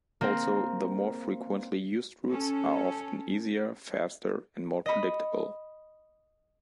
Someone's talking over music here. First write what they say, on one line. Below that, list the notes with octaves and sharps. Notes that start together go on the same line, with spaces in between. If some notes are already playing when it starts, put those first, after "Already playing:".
Also, the more frequently used routes are often easier, faster and more predictable.
A#3 C4
C#4 A4
D#5 B5